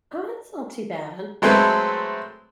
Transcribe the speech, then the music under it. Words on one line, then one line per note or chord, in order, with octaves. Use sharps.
Oh, that's not too bad.
F#3 G#3 A3 C4 A4 B4